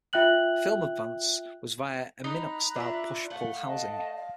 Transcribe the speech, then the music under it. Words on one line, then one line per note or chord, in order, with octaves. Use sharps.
Film advance was via a Minox-style push-pull housing.
F4 E5 G5 F#6 F#7
D#4 A#5 B5 F#6
D4 F4 E5
A3 F5 F#5
D5 D#5 A5
F5